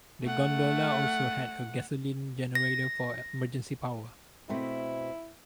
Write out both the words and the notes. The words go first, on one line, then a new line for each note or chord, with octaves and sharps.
The gondola also had a gasoline generator for emergency power.
A3 F#5
A#6
B2 A3 C4 E4